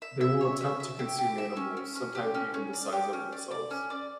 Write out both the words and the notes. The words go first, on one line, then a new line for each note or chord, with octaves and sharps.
They will attempt to consume animals, sometimes even the size of themselves.
E5
E5
C#5
E5
E5
G4
G4
E5
C#4
C#4
C#4
G4
C#4
C#4
D5
G4
C#4
D5
D5
C#4
D5